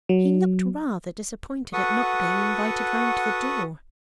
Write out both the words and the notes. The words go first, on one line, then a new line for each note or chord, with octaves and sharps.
He looked rather disappointed at not being invited round to the door.
F#3
F#4 A4 B4 F#5 C#6 D#6